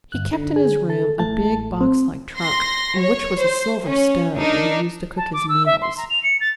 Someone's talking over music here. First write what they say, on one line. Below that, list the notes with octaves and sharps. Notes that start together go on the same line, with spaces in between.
He kept in his room a big box-like trunk, in which was a silver stove that he used to cook his meals.
G1 F#6
D3
G#4
A4
A1 A2 A3 A5
C4
C6 A#6
C#5
C5
C#4
D4 D#4 A#4
A5
D6
E6
E5
C6
A#5
F7
C#7
A6